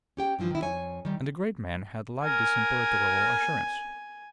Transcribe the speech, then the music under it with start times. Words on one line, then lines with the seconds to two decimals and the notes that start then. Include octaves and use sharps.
And the great man had liked this imperturbable assurance.
0.17 C#4 G4 G5
0.39 G2 E3 F3
0.51 D#3 E4
0.62 F2 C#5 G#5
1.05 D#3 G3
2.24 A#4 G#5